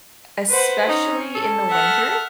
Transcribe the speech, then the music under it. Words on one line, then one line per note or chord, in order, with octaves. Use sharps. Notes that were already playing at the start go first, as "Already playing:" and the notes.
especially in the winter,
B4 C5 F#5
C#4 D#4
A4
E5 F#5 F6